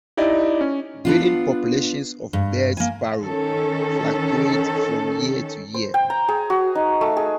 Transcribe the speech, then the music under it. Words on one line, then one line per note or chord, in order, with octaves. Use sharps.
Breeding populations of Baird's sparrow fluctuate from year to year.
D#4 E4 G4 D5 D#5
C#4
B3 D4 F4
G2
A#3 G#5
D#3 C#4 A4
C5
G5
A#5
G#4
F#4
D#4
A3
G#4